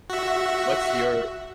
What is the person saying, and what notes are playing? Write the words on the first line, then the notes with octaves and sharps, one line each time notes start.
What's your
F#4 E5